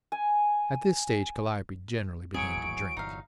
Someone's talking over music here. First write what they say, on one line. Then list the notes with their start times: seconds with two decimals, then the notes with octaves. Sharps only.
At this stage Calliope generally began to drink.
0.12 G#5
2.34 E1 E3 F#3 G3 C4 G#4 C#5 D7
2.54 D1 G#1
2.97 G1 A#2 D#4 F5